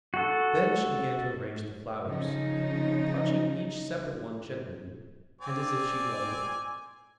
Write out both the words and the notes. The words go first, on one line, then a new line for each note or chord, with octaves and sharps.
Then she began to arrange the flowers, touching each separate one gently, and as if she loved it.
F#4 A4
C#3 F3 D#4
C4 D5 G#5